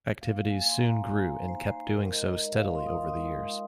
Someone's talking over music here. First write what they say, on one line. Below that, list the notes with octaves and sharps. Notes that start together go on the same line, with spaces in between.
Activities soon grew and kept doing so steadily over the years.
A#3 F5
F5
G#5
A#3 C6
A#5
D#4 G#5
D#4 C5
G#3 A#4
D#5
G#3 D#5
F5
F4 C6
D#6
C6
G#3